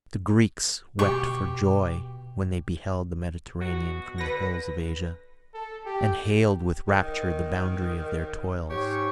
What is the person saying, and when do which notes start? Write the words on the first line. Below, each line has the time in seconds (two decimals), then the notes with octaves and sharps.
The Greeks wept for joy when they beheld the Mediterranean from the hills of Asia, and hailed with rapture the boundary of their toils.
0.99 B2 G4 C#6 D7
3.62 B2 F#4
4.18 D3 B4 A#6
5.54 A4
5.86 G4
6.88 D#3
8.70 G#2 G4 C#5 C#6